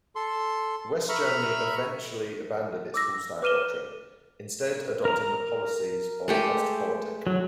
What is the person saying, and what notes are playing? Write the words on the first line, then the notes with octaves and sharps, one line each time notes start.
West Germany eventually abandoned its Hallstein Doctrine, instead adopting the policies of Ostpolitik.
A4 C6
E5 A#5 B5 C#6 F6
D6 E6 A#6
B4 D6 F6 D#7 E7 G7
A#4 A#5
G#3 A3 G4
F#3